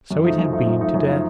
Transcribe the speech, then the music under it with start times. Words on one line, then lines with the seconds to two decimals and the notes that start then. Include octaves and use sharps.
So it had been today.
0.11 F#2
0.24 F3 A3 D#4
0.38 F#2
0.53 F3 A3 D#4
0.67 F#2
0.81 F3 A3 D#4
0.95 F#2
1.09 F3 A3 D#4